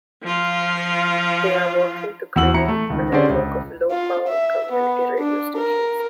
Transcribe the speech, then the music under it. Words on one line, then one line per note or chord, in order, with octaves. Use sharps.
They are working to create a network of low power community radio stations.
F3 F4
E2 F#4 E6 F#7
E2 E4 A#5 C#7
A3
C#2 D#3
D3 C#4 G4 G#4 C5 D5
C#2
F4
E5
B3
D4
A#4